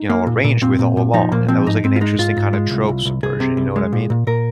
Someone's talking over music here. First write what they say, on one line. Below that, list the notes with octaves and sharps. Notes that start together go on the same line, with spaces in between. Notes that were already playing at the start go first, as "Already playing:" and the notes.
you know, arranged with all along, and that was, like, an interesting, kinda, trope subversion, you know what I mean?
Already playing: D#4
A#3
A#2
A#2
A#2 C4
A#2
A#2
F3 D#4
A#2 A#3
F3 C4
G#2 D#4
G#2 C4
F4
G#3 D#4
G#2 F4
G#2
G#3
C2
C2
C2
C2 G#4
C3
C2
G#3
A#2
A#2
A#2 A#4